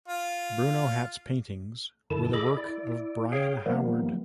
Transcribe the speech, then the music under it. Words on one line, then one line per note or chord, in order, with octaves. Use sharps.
Bruno Hat's paintings were the work of Brian Howard.
F4
F#2 D3 D#3 E4 A5
G#4 A4 D#5 B5 D6
E4 D5
G#4 C#5 F5 G5
D#3 F3 G3 A#3 B3